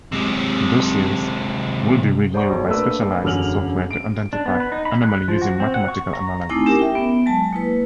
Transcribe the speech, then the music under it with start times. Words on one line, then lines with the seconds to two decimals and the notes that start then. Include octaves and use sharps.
Dossiers would be reviewed by specialized software to identify anomalies using 'mathematical analysis.
0.12 C3 G#3
2.33 G#4 C5 D5 F#5 A#5 C#6
2.50 B1
2.68 A3 A#3 D4 B4 D5 E6
3.24 E1 F#2 D3 F6 F7 F#7
3.91 D7
4.33 D4
4.46 B3
4.60 B4
4.72 D#4
4.85 B5
5.04 F#6
5.28 F3
5.42 F#4
5.60 C4
5.74 F#5
5.88 C#6
6.13 A#5
6.49 A3 C4 D#4 E4 G#5 D6
6.66 C#4 G4 A#4
6.79 E5 G5
6.95 B3
7.26 F#3 G#3 A5
7.53 A#3 E4 B4